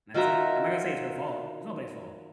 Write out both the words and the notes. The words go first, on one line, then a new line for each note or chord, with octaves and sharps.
and that's it. I'm not gonna say it's her fault, it's nobody's fault,
D#3 F4 F#4 E5 A#5